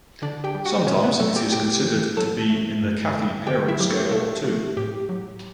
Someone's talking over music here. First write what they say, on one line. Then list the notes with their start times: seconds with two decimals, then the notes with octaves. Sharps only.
Sometimes it is considered to be in the Kafi parent scale too.
0.22 D3 D4 D5
0.44 G4 G5
0.55 G3
0.65 F#4 F#5
0.87 B2 C#4 C#5
1.03 B3 B4
1.20 F#3 A3 A4
1.36 G4 G5
1.52 A2 G4 G5
1.84 E3
2.17 F#3 A4 A5
2.50 A3
2.82 G2
3.14 D3
3.47 D3 G4 G5
3.68 E4 E5
3.79 F#3 G4
3.90 A3 A4
4.11 B2 A3 A4
4.44 A3
4.77 A2 G4
5.09 F#3